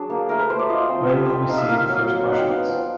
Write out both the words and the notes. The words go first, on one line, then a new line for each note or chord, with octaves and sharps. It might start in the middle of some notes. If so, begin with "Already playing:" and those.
When will we see the first Russians?
Already playing: F#3 D4 G#4
A#3
A3 A#4
B4
A3 C5
D5
F4 D#5
C4
G3 E5
G3
D#4 F5
E5
A#3 F5
F#3
F#3
D#4 F#5
G5
B3 F5
F3